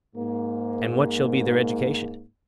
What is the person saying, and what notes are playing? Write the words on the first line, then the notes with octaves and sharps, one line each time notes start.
And what shall be their education?
G#2 A#3